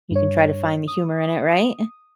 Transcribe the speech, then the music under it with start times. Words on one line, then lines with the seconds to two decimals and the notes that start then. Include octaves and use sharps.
you can try to find the humor in it, right?
0.11 G2 C#5
0.88 D#6